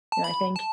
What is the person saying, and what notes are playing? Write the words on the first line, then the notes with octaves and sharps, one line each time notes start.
know, I think
A5
B5
A5